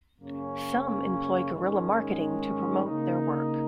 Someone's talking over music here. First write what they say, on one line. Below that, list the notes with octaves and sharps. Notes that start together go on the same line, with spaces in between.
Some employ guerrilla marketing to promote their work.
F#2 C#3 A#3 C#4
G#2 D#3 G#3 C#4
C#3 A#3 D#4